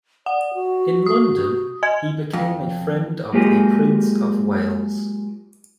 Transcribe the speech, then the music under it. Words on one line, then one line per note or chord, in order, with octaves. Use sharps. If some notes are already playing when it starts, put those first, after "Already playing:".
In London he became a friend of the Prince of Wales.
D5 F#5
F#4
D#6
D#5 G#5 G#6
F2
F#3 G#3 A#3 F4 G4 G#4